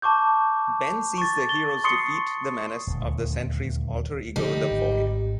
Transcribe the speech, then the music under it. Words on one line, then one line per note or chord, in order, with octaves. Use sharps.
Ben sees the heroes defeat the menace of the Sentry's alter-ego the Void.
A5 C#6 D6 G6
C#6 A6
A6 G7
C6 C#6 D#6 C7 C#7 G7
D#1 D2
D3 F3 G3 A3 D#4
G#1